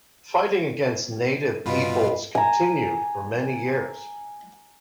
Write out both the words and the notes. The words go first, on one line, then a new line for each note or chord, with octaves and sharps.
Fighting against native peoples continued for many years.
G2 B2 F4 B4 D#5 B5
G#5 A#5